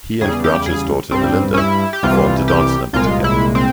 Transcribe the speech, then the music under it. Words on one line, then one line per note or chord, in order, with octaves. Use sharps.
He and Groucho's daughter, Melinda, performed a dance number together.
E2 C#3 G3 G#4
G4
G#4
G2 G3 C4
C#4
E4
G4
C2 C3 E3 G3 F4
G4
C2 A#2 G#3 F4
E4
C4